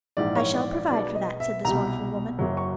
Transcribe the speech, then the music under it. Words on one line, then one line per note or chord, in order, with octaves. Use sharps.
"I shall provide for that," said this wonderful woman.
A#1 G#2 E3 D5
C#5
D5
D5
B1 B2 G#3 B3 D5
D#5
E5
C2 B2 G3 A#5
F#1 F#2 C#3 F#3
C#6